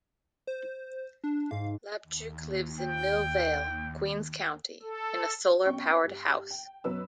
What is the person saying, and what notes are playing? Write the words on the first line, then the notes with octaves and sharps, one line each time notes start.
Labchuk lives in Millvale, Queens County, in a solar-powered house.
C5
D4
G#2 F5
D#2
G5
A4
B1 C4 C#4 G5 C#6
G2
G5
F#2 B2 F#3 B4 E6